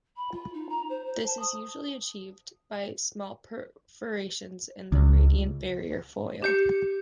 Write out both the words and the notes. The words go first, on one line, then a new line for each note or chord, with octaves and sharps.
This is usually achieved by small perforations in the radiant barrier foil.
B5
F4
D#4
A#5
C5
C5
A5
D#6
C#2
G4 G6 C#7